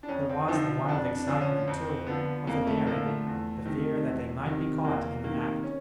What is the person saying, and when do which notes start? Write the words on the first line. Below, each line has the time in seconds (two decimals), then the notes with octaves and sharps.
There was the wild excitement, too, of the daring; the fear that they might be caught in the act.
0.03 D4
0.09 F2 C#4
0.29 C4
0.48 D3 F3 D#4
0.88 F2 D4
1.15 D4
1.27 D3 F3
1.41 C#4
1.67 F2 C4
2.07 D3 F3 B3
2.47 F2 A#3
2.67 A3
2.86 D3 F3 A#3
3.06 A3
3.27 E2
3.65 C3 D#3
4.06 E2
4.45 C3 D#3
4.84 E2 A#3
5.24 D#3 A#3
5.29 C3
5.64 C#4